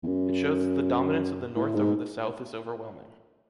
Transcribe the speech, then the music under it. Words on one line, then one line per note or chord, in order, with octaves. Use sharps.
It shows that the dominance of the North over the South is overwhelming.
E2
F#2
A2
G#2